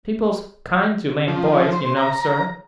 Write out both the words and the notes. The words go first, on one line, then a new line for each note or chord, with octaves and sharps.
People's kind to lame boys, you know, sir.
F3
C5
A#5